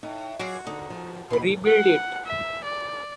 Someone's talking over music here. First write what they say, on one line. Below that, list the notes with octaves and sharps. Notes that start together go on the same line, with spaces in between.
Rebuild it!
A2 D#4
F#3 F4 F#4 G#4 D5
D3 D4 D#4
F3
D#2 B2 B5 C6
F#5
E5
D5